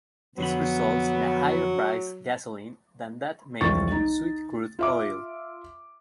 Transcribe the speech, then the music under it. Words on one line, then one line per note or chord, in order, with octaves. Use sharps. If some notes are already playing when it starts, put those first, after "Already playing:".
This results in a higher-priced gasoline than that made from sweet crude oil.
F2 D3 F#3 B3 B5
E1 C2 F3 C#6 A6
D#4
F4 E5 D6